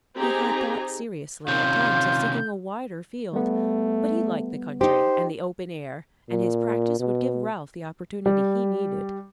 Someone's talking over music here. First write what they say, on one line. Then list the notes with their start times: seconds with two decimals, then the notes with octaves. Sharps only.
He had thought seriously, at times, of seeking a wider field, but he liked the country and the open air, and his practice would give Ralph the opportunity he needed.
0.16 C4 D#4 G4 G#4 G#5 A#5
1.48 C3 D#3 C#4 F4 G6
3.33 G3 A3 B3
4.81 D#4 G4 C5
6.30 A#2
7.00 B2
8.26 G3